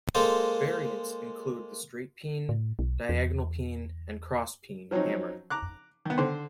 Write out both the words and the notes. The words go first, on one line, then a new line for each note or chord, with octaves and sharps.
Variants include the straight-peen, diagonal-peen, and cross-peen hammer.
G#3 A#3 A4 C5
A2
B1
E2
F3 F#3 C4 C#4 D#4
A#5 D6 F#6
D#3 B3
D3 C5